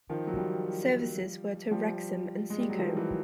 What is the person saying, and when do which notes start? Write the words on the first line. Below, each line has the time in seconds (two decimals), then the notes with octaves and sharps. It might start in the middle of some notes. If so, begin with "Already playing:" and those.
Services were to Wrexham and Seacombe.
0.09 D#3 F3
0.27 F#3
0.36 F3 G3
1.71 F3 G3
2.50 G#3
2.60 G3
2.69 F#3
2.79 D#3 F3
2.97 E3 F#3